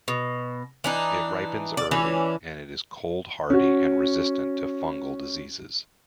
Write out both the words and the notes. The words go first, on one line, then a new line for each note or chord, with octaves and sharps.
It ripens early, and it is cold-hardy and resistant to fungal diseases.
B2
E3 D4 D#4
D5
E3 C#4 D4
C#4 F#4